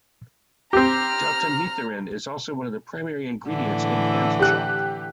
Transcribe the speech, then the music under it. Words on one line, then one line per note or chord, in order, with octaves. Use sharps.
Deltamethrin is also one of the primary ingredients in ant chalk.
C4 G4 A#5 F6
A2 D3 E3
G4 F#6